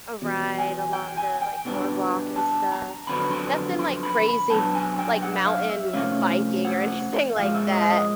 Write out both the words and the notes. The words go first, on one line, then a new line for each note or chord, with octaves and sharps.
a ride along the, like, boardwalk and stuff. Nothing like crazy, like mountain biking or anything like that.
E2 B2
G#5
G5
G#5
G5
B2 G3 B3 D4
A5
A#5
F2 D3 F#3 B3 D4 B5
C6
C6
B5
B5
B2 F#3 B3 D4 A5
G#5
G5
F#5
F5
E5
C3 F3 A3 C#4 F5
F#5
A#2 F3 G#3 F5
E5
D#5
D#5